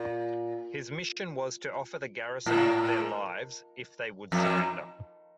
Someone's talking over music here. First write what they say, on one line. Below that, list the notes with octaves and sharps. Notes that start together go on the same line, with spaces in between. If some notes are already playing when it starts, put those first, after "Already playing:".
His mission was to offer the garrison their lives if they would surrender.
Already playing: A#2
A2
F2